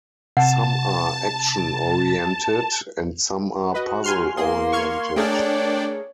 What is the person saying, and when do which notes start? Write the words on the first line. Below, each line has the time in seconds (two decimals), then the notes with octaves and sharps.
Some are action-oriented and some are puzzle-oriented.
0.37 C3 F#5 A5
3.74 F#4 B4 D#5
4.04 G#5 C6 F6
4.37 A#3 G#4 C6
4.72 C#6 F6 G#6
5.16 A3 D4 G#4 A#4 C#5 D5 G5